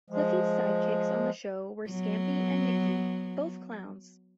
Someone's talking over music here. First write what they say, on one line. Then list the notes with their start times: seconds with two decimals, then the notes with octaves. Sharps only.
Cliffy's sidekicks on the show were Scampy and Nicky, both clowns.
0.10 F3 G#3
1.90 F#3 B3